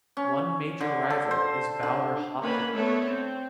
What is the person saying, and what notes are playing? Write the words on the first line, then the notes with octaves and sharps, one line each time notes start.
One major rival is Bauer Hockey.
C#4
D3
A4
C5
D3
D3 D#3 A#3 C#4 B4 B5
D3 A3 B3 A4 C#5
C4